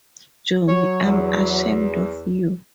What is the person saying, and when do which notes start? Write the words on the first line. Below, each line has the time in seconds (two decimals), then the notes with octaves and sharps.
Jonny, I'm ashamed of you!
0.68 F#3 C#5
1.04 E2